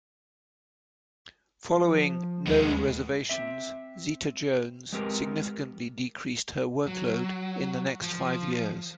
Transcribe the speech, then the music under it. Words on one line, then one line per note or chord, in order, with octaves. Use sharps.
Following "No Reservations", Zeta-Jones significantly decreased her workload in the next five years.
F3
D#2 G#3 B3
C4 E5
G#3 B3 C4 G4 A#4
F#3
F3